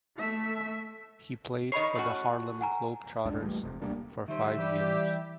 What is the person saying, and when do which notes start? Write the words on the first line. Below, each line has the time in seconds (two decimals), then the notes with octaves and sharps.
He played for the Harlem Globetrotters for five years.
0.17 A3 E5
1.72 D#3 C#5 D#5 B5 C7
1.95 A2 C#4 F#4
2.61 F#5 G#5 A#5
3.25 C#2 F#2 G#3 D4
3.42 A#2 E3 G3 A3
3.63 F1 C3
3.82 D1 G3 A#3 D4
4.28 D#3 G3 C5 E5
4.58 E3 G3 G4